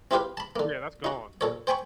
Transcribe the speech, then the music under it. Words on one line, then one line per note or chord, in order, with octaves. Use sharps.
Yeah, that's gone.
C4 E4 F4 G4 B4 F5
A5 B5
D3 A#3
D#4 F#4
A#2 A4 C#5
C5 G5 G#5 B5 C#6